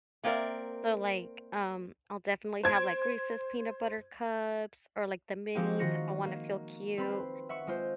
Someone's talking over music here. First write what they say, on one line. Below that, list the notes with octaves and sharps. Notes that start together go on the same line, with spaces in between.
so, like, um, I'll definitely have, like, Reese's Peanut Butter Cups, or like the minis if I wanna feel cute,
A3 A#3 C4 A#4 D5 E5
C5 G#6 D7
F3 G#3 A#3 C4 F#4 G4
D#3 F4 F#4 A#6 C#7
A#3
C4 B4 C6
E5 F#5 C#6
G#3 F4 C5